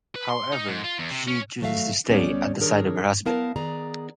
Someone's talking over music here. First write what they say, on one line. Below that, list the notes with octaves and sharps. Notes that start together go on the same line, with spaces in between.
However, she chooses to stay at the side of her husband.
B4
C6
D#4
G#2
F4
E2
C3
C#4
D#3 F#3 A3 C#5 E5 F5
D2 G3 B3 C#4 C#5 D5
D#3 D4 G#4 A#4 C#5
F#3 B3 E4 A#4 F5 A5
D#3 B3 G#4 D5 A#5